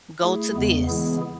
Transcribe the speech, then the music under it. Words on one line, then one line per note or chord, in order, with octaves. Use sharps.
"Go to this,
A3 E4 G#4
E2 C#3 G#3 B3
E3 G#3 B3 E4 G#4